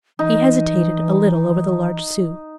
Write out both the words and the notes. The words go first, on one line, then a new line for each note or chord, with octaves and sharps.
He hesitated a little over the large sous.
E3 D#4